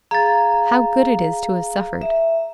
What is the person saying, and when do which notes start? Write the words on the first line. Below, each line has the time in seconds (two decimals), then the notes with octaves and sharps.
How good it is to have suffered!
0.11 G#4 F5 A#5 A6
2.02 E5